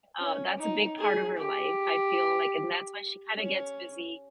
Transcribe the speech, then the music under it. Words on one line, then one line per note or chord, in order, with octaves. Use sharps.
uh, that's a big part of her life, I feel like and that's why she kinda gets busy
C#4
D#4
G#4
G4
C#4